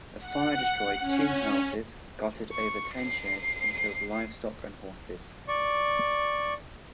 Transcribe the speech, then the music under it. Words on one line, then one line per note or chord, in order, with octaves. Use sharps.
The fire destroyed two houses, gutted over ten sheds and killed livestock and horses.
F#5
C#4
C#6
C7
D5 C#6